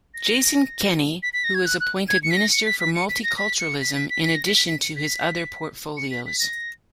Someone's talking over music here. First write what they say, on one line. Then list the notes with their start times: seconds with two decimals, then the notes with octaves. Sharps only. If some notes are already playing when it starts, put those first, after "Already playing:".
Jason Kenney who was appointed Minister for Multiculturalism in addition to his other portfolios.
0.14 A#6
1.23 B6
1.33 B6
1.44 A#6
1.55 G#6
1.65 F#6
1.80 F#6
2.09 G#6
2.23 C#7
2.30 B6
2.37 A#6
2.52 C#7
2.66 B6
2.80 B6
2.95 C#7
3.09 B6
3.23 A#6
3.38 B6
3.59 C#7
3.81 B6
3.95 B6
4.10 B6
4.24 B6
4.35 A#6
4.46 B6
4.56 B6
4.67 B6
4.82 C#7
4.96 B6
5.97 C#7
6.11 B6
6.26 B6
6.40 A#6